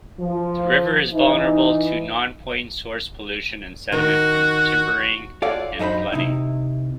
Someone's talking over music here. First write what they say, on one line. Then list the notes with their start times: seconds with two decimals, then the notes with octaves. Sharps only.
The river is vulnerable to Nonpoint source pollution and sediment from timbering and flooding.
0.19 F3
1.12 E3 D#4
3.92 D#3 F#4
5.42 F4 A4 C#5 D5 F5 F#5
5.79 F#2 D#4 A4 C5 B5
6.13 C3 D#4 E4